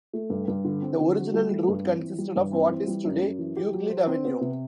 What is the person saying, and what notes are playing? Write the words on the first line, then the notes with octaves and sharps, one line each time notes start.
The original route consisted of what is today Euclid Avenue.
A3
G2
G2
D3
C4
D3
F#4
G3
A3
G2
C4
E3
G3
G2
C4
E3
G3
F#2
F#2
E3
G4
F#3
C5
C4
B3
C3